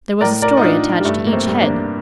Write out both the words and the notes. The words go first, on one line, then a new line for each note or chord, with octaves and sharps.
There was a story attached to each head.
A2 A#4 D5
A#4 D5
D#4
A2 D4 F4
G3
G2 A3
A#3
A3 C4
G2
A#3 D4